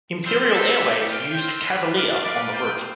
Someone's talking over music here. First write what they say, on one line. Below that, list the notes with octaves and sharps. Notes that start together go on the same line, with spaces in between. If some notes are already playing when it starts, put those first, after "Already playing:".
Imperial Airways used "Cavalier" on the route.
G3 C4 F4 C5
C4 F4 A4 E5
A3 D4 G4
F4 C5 G5
C4 F4 C5
G3 D4 F4 B4
D4 G4 D5 F5
F4 B4 D5
F4 C5 G5